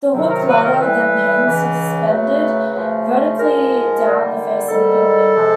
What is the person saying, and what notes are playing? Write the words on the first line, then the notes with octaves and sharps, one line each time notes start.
The hooked ladder then hangs suspended vertically down the face of the building.
F2 C3 D#3 F#3
A#4
B4
A#4
A2 E3 G3 B4
C#2 C#3 E3
F#2 C#3 F#3 A3 B4
F#2 C#3 F3 A3
G#2 F3 G#3 A#4
D#2 D3 G3
G#2 D#3 G3 A4
C3 F3 G#3